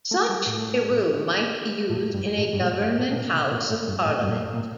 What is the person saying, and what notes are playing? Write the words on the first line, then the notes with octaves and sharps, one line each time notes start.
Such a room might be used in a government house of parliament.
A3
G3
A2
A2
G2
A2
G2
A2
G2
A2
A2
A#2
C3
A#2
A2
G2
A2
G2
A2
A#2